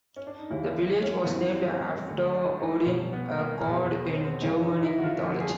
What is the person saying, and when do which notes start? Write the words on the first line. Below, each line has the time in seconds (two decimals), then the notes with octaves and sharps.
The village was named after Odin, a god in Germanic mythology.
0.16 C#4
0.27 D4
0.39 D#4
0.50 D#2 C#3 E3 E4
1.03 C#4
1.24 B3
1.29 G2 E3 C4
1.55 C4
1.72 C4
1.82 C#4
2.08 D2 D3
2.34 D4
2.60 D#4
2.86 B2 C#4
2.90 C2
3.13 B3
3.39 A#3
3.59 A#3
3.65 E2 B2 B3
4.05 C4
4.14 C#4
4.25 C4
4.44 F#2 C#3 E3 C#4
4.63 D#4
4.79 D#4
4.84 E4
4.98 F#4
5.03 F4
5.22 F2 D3 F4
5.40 G#4